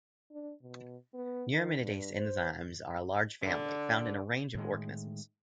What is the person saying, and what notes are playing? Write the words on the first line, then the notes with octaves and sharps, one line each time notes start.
Neuraminidase enzymes are a large family, found in a range of organisms.
D4
B2
B3
D#3
G2
C5
D3
A2 D#3 G#3